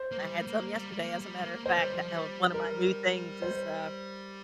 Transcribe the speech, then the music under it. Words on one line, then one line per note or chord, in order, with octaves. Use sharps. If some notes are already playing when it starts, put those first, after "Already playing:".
I had some yesterday, as a matter of fact, uh, one of my new things is, uh,
Already playing: C5
A#3
G3
A#3
G3
G3
A#3
G3
A#3
A#3 C5
G3
F3
G3
A#4
C5